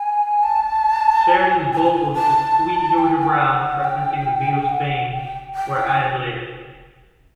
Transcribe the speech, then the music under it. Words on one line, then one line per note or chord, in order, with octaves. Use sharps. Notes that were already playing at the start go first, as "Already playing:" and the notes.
Sheridan's vocals to "Sweet Georgia Brown", referencing the Beatles' fame, were added later.
Already playing: G#5
A5
G#5
G#5
A5
G#5
A5
G5
G#5
G5
F#5
G5
F#5
G5
G5